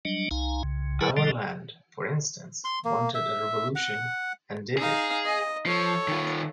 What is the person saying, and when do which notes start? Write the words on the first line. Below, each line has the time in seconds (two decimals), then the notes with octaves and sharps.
Our land, for instance, wanted a revolution and did t.
0.05 F#3 G3 D4 D#5
0.31 C2 D#4 F5 G#5 A#5
0.63 C2 C#3
1.01 D3 F#3 E4 G#4 A#4 B4
1.17 B2 D3 F3 G3 A4 D#5
2.64 C6
2.85 A#3
3.14 E5
3.75 F#5
4.78 D#4 G#4 F5
5.25 D#5
5.66 F3 A4 C#5
6.08 D#3 F4